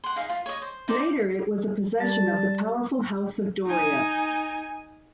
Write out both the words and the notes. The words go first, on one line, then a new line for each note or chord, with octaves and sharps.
Later it was a possession of the powerful House of Doria.
F#5 C6
D#4 G#4 F5
F4
C#5 D#5
C5
D#4 C5 D5 A#5
G3 A5
D#4 G#5